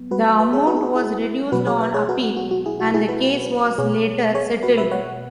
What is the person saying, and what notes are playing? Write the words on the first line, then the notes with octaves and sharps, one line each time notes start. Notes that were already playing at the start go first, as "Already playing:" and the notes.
The amount was reduced on appeal and the case was later settled.
Already playing: F#3 B3
F#4 B4
B4 E5
G#4 C#5
F#4 B4
G#4
F#4
E4 G#4
B2 F#3 B3 F#4 B4
G#4 C#5
B4 E5
G#4 C#5
F#4 B4
F#4
F#4
F#4
E4 G#4
F#4
E4 G#4
F#4 B4
B2 B3 G#4 C#5
G#4 C#5
F#4 B4
B4 E5
C#5 F#5